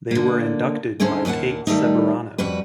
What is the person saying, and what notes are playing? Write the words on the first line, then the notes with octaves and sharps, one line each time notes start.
They were inducted by Kate Ceberano.
D3 A#3
D2 G#2 D3 G#3 C#4 C5
D#2 A#2 A#3 F#5 A5
D#3 G3 A3 D#4
F2 G3 F#4 B4